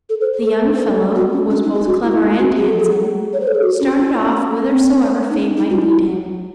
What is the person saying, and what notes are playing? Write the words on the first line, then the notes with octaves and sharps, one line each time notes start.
The young fellow, who was both clever and handsome, started off whithersoever fate might lead him.
A4
C5
A4
A4
C5
A4
F#4
C#4
C#4
D#4
G#4
F#4
E4
D#4
F#4
G#4
A4
G#4
C#5
C5
A4
G#4
F#4
C#4
C4
D#4
C#4
D#4
F#4
E4